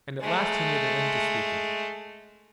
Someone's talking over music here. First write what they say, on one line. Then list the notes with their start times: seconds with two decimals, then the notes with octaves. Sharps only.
And at last he made an end to speaking.
0.22 G#3 A3